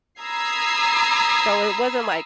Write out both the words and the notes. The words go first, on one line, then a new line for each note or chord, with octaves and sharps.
So it wasn't like
A#5 B5 D#6 E6 G#6 C7